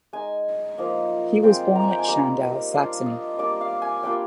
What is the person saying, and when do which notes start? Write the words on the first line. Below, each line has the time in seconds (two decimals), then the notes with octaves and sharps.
He was born at Schandau, Saxony.
0.13 G#3 D#4 G#5
0.78 F3 A#3 D#4
1.43 G#3 C4 F4 G5
1.75 A#5
1.84 G#5
1.91 G5
1.98 G#5
2.08 G3 A#3 D#4 A#5
2.73 G3 D4 F4 F5
3.06 D#5
3.38 G3 A#3 D4 D5
3.61 F5
3.82 G#5
4.03 G3 A#3 D4 F4 G5